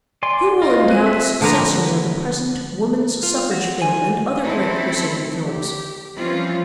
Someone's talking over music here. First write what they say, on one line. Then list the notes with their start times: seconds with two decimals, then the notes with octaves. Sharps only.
Who will endow the successors of the present woman's suffrage film, and other great crusading films?
0.23 D5 G#5 C6
0.62 F4 D#5
0.88 C4 F#6 D#7
1.07 E5
1.41 D3 F3 A#3 B4 A#5
3.23 F4
3.51 F#4
3.82 G#5
4.43 A3 C4 C#4 E4 A4
5.42 G4
6.17 E3 F3 G3 C4 C#4 F4